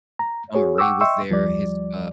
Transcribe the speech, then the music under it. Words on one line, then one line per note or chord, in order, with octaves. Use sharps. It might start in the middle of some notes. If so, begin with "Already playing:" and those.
Summer Ray was there, his uh
A#5
F#4 G#4 C#5
F#5 G5 C#6 D6 E6
D#5 E5 G5 C6 C#6 E6
D#2 F3 G3 D5